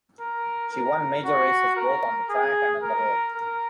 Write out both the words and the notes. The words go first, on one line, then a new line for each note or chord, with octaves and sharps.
She won major races both on the track, and on the road.
A#4
A#4
F#4
A#4
G#4
A#4
A#4